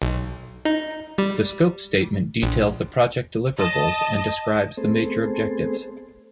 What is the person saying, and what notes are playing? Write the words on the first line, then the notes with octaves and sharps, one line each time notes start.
The scope statement details the project deliverables and describes the major objectives.
B1
D#4
G3
A#1
D#5 A5
A3 B3 C4 G#4 A4 C5